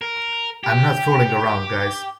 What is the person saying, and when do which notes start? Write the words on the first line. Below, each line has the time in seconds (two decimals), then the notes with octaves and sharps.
I'm not fooling around guys.
0.01 A#4
0.64 G4